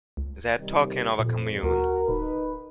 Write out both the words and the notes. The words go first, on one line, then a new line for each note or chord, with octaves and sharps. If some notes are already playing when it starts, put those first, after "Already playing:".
They are talking of a Commune.
C#2
C3 D#3 G3
F2 A#2
D2 F#4 A#4
D1 D#4 B4